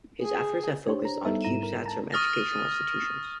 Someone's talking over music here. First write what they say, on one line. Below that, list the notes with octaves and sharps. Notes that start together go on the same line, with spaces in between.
His efforts have focused on CubeSats from educational institutions.
G#4
D4 G4 C5 C#5
A#5
G3 B3 D#4 A4 E5
G#2 E4 A#5 D#7 E7
A#4
A5 A#5
C#6 D#6 F6 A6 A#6